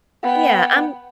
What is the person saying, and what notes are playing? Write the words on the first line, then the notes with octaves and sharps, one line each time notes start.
Yeah, I'm
B3 G5